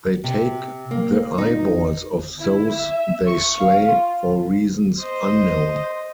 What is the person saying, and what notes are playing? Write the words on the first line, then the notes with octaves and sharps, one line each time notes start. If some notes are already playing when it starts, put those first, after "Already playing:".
They take the eyeballs of those they slay for reasons unknown.
C3
A#3
D#4
E4
E5
C#6
F5
F4
C5 D#5